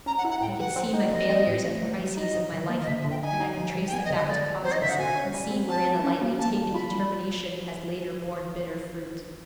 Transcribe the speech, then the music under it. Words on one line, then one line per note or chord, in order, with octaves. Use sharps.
I can see my failures at the crises of my life, and I can trace them back to causes, can see wherein a lightly taken determination has later borne bitter fruit.
C#4 A#5
F#5
E4
F#5
A2 G5
E3 F#5
C4
D#4
F3 D#5
C4
A2
A3
F#3
F#3
D#4 D#5
F#3
D#3
A#3
D#5
D3 E5
E5
D3
G5
D#4 G#5
D#4
F3
F3
G5
B3 G#5
D#5
D3
D#5
G#3 D5
F3
C4 C5
D#5
D3 E5
F#5
B2 G#5
C#4
G3
C4
F#3 A5
F#3
C#4
A#3
A#3 A5
D#3
F4 B5
G3